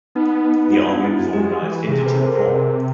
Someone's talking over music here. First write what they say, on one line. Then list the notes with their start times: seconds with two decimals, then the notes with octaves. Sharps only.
The army was organized into two corps.
0.15 B3 D#4
0.44 D#4
0.70 F#4
0.74 F4
0.90 D4
1.04 E4
1.19 F#4
1.33 G#3 G4
1.63 E3
1.88 C#3
1.92 C3 G#4
2.06 A4 B4
2.22 A#4 C5
2.36 G#4 A#4